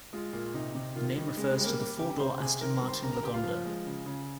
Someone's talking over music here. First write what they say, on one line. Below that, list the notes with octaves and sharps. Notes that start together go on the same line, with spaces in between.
The name refers to the four-door Aston Martin Lagonda.
G#3 F4
A#2 F4
C3 D#4
C3
D#3 F4
G3 D#4
C#3 G#3 G#4
G#3 G#4
G3
A#3 A#4
G3 A#3 A#4
C#3 G4 G5
C3 C5 C6
C3 G#4 G#5
D#3 A#4 A#5
A#4 A#5
G3
C5 C6
C#3 A#4 A#5
A#4 A#5
C#3 G4 G5
F4 F5
F3
G#3
C#3
C#3